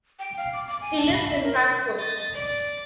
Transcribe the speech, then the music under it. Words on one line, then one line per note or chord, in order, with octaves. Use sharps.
He lives in Frankfurt.
G5
F5
D6
D6
G#5
A5
B5
E5
A#4
D#5 A6
D5